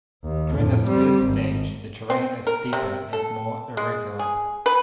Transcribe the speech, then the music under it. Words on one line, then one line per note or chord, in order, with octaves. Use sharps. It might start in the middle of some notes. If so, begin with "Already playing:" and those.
During this first stage, the terrain is steeper and more irregular.
D#2
F2 A2
G3 C4
G#1
C4
A#4
C3
A4
G#3
G#4
B4